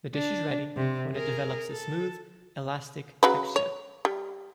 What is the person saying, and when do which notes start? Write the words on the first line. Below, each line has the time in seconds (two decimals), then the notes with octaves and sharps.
The dish is ready when it develops a smooth, elastic texture.
0.14 D4
0.76 C3
1.12 G#4 A#4
1.71 A4
3.23 C#3 F#3 B4
3.56 C#5
4.05 G3